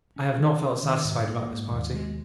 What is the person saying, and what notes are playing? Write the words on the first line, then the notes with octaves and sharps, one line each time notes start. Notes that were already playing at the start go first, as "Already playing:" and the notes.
I have not felt satisfied about this party.
C#4
D#3
C#4
D#3
G#2
A#3
G#2
D#2
G#3